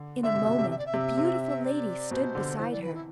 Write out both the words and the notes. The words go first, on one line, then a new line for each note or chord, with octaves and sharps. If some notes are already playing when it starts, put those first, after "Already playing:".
In a moment a beautiful lady stood beside her.
Already playing: D3
D3 E5
C3
B2
C3
E5
D5
E5
C3
C3
D5
B2 C5
D3
E3 C5
D5
B4
E4